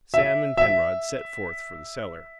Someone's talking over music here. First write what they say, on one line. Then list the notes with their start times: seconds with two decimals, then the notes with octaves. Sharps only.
Sam and Penrod set forth for the cellar.
0.14 E5
0.57 E5